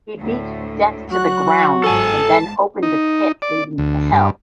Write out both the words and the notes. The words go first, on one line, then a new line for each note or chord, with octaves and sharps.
He beat Death to the ground and then opened a pit leading to Hell.
D2 A2
F#3 F#4 F#6
G1 G#2 A4 G#5 A5
D#4
D5
D2
G2